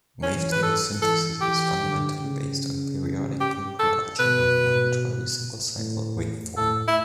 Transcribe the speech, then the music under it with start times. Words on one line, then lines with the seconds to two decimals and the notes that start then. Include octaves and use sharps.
Wavetable synthesis is fundamentally based on periodic reproduction of an arbitrary, single-cycle waveform.
0.23 E3 C#4
0.52 B4
0.63 A4
1.02 E3 A4
1.41 E3 G4
1.82 D3
2.21 C#3
3.40 G4
3.79 A4
4.19 B2 B4
5.78 A2
6.57 A2 A4
6.87 E4